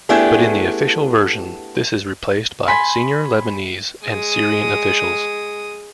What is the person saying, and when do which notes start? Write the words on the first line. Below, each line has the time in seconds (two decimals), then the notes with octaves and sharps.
But in the official version, this is replaced by "senior Lebanese and Syrian officials".
0.09 A3 B3 D4 E4 G4 G#4
2.68 G#5 B5 C6 B6
4.04 G#3 D#6